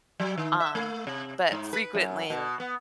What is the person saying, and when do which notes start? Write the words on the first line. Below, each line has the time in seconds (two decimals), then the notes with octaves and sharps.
Um, but frequently
0.20 F#3
0.38 D#3
0.60 E5
0.75 A3
1.07 C3
1.52 G#2
1.73 B4
1.95 F#2
2.30 B2
2.60 B3